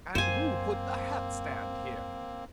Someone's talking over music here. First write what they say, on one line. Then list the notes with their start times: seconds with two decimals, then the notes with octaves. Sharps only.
"And who put the hat-stand here?"
0.15 F#2 A#3 C4 C5 G#5